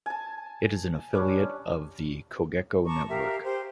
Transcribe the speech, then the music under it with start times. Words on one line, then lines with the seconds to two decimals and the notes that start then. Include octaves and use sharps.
It is an affiliate of the Cogeco network.
0.06 G#5 A5
1.13 G3 C#4 D4
2.86 A5 A#5 C#6 D6
3.09 G4 A#4 E5 F5
3.43 G4 C5